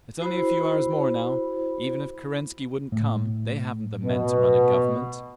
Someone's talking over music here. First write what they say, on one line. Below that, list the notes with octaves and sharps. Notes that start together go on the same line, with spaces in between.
It's only a few hours more, now. Even if Kerensky wouldn't come they haven't the men to run a Government.
E4 F#4 C5 B5
A2
B2